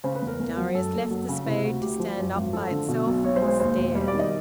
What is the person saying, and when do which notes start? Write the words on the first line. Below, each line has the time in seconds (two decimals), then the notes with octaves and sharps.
Darius left the spade to stand up by itself, and stared.
0.04 C#3 C5
0.15 B4
0.22 E2
0.27 A#4
0.39 E2 A#4
0.57 F#3
0.74 F#2 A4
0.93 F#1
1.10 F#3
1.28 C#3
1.46 C3 E4
1.64 D2 F#4
1.82 D2 G4
1.99 F3
2.18 F#2
2.35 G#1
2.53 F3 A4
2.71 D3
2.88 B2
3.06 B1
3.24 B1 C#5
3.36 C5
3.42 G#3
3.48 C5
3.60 D#2 C5
3.77 E1
3.95 G3
4.08 D5
4.13 D#3
4.19 D#5